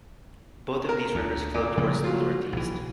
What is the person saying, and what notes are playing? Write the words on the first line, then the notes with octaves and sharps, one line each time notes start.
Both of these rivers flow towards the northeast.
A#4
D2
A#2
C#3 F3 A#3
F#3 F4
A#1 E3